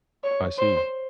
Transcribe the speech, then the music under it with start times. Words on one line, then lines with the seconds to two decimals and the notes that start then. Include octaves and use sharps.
I see.
0.24 C#5
0.59 C5